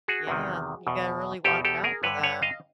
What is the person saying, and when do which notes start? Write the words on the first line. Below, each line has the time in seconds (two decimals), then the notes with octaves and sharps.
yeah, you gotta really watch out for that.
0.08 F#4 G#4
0.27 E2 C3 D#3
0.87 E2 B2
1.44 E2 B2 G4 A4
1.65 G4 A4
1.84 G#4 A#4
2.03 G2 D3 B4 C#5
2.23 B4 C#5
2.42 D#5 F5